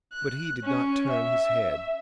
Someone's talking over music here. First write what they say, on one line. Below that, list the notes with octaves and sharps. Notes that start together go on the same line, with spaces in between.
But he did not turn his head.
F#6
C#4
E5